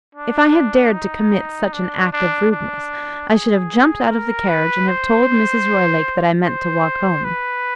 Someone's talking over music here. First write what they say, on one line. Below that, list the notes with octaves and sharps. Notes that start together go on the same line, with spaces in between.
If I had dared to commit such an act of rudeness, I should have jumped out of the carriage, and have told Mrs. Roylake that I meant to walk home.
D4
D#4
D4
D4
D4
G#4
A#4
B4
C5
C5
B4